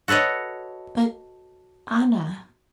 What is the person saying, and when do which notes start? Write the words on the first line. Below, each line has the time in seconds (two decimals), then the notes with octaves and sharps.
"But, Anna..."
0.08 F#4 A4 B4 C#5 D#5